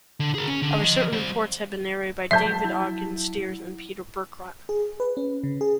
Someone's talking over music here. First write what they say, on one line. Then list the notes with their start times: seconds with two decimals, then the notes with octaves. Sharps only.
However, certain reports have been narrated by David Ogden Stiers and Peter Berkrot.
0.20 D3
0.35 G#4 A#4
0.47 C#4
0.62 D3
0.84 F3 D#5
1.13 G3 C5
2.31 F#3 E5 A5 G6 B6
2.64 E4
4.69 G#4
5.00 B4
5.17 C#4
5.44 C#3
5.61 G#4